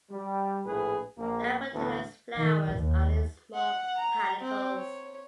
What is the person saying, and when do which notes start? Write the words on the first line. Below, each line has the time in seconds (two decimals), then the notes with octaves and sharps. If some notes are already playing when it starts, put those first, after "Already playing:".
The apetalous flowers are in small panicles.
0.11 G3
0.66 A#1 A2 G#4 B4
1.19 A#1 A#3
1.73 D2 A2 E3 B3
2.38 D#3
2.76 D#2
3.54 F#5
3.97 A#5
4.41 C4
4.76 C#5